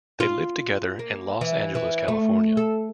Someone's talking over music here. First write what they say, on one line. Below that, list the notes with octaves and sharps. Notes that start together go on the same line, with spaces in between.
They live together in Los Angeles, California.
F4
A#3
E3
E3
A3
A4